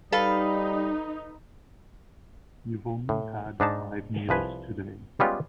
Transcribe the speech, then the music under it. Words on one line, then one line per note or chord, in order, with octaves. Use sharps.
You've only had five meals today.
G3 D#4 A4 B4 F5
A2
G#2 D4 D#4 A5
C2 F3 B4 G#5
G3 G#3 B3 C#4 F4 G4